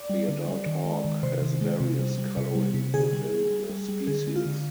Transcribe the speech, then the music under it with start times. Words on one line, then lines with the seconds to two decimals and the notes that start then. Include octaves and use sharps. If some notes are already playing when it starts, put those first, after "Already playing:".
The adult hawk has various colouring within the species.
Already playing: D5
0.10 G3
0.29 D3
0.48 G3
0.66 D#3
0.85 G#3
1.05 D#3
1.23 C3 C5
1.42 D#3
1.61 G#3
1.80 C3
1.99 G3
2.18 G3
2.37 C3
2.55 G3
2.74 C3
2.94 D3 G#4
3.13 G3
3.32 G3
3.51 G3
3.69 G3
3.89 G3
4.07 D3 G#4
4.27 G#3
4.36 F4
4.46 D3